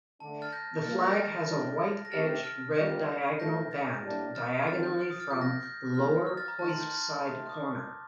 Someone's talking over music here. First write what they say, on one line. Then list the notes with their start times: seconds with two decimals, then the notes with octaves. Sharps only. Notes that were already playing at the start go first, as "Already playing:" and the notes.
The flag has a white-edged red diagonal band diagonally from the lower hoist-side corner.
0.20 D3 A3 D4 A5
0.42 F6 A6
0.52 G6 A#6
0.84 G2 F3 A#3 F6 A6
1.01 G6 A#6
1.16 F6 A6
1.48 A2 G3 D4
2.05 A#6
2.12 A3 C4 G4 F6 A6
2.43 F6
2.75 G3 C4 F4 A#4 D5 G6
3.39 A2 F3 A3 G6 A#6
3.71 F6 A6
4.03 A2 G3 A#3 D4 G4
4.35 F6 A6
4.67 D#3 G3 C4 D#4 A4 F6 A6
4.83 G6
4.99 F6
5.10 D#6
5.20 F6 A6
5.30 C3 F3 A#3 F4 G6
5.41 G6 A#6
5.63 G6
5.94 F3 A#3 D#4 G4 F6
6.27 F6
6.37 F6 A6
6.48 A#5
6.59 D#3 A3 D#4 A5
6.69 C6
6.80 G6
6.91 F6
7.23 A3 D#4 G4
7.50 D#6
7.54 D6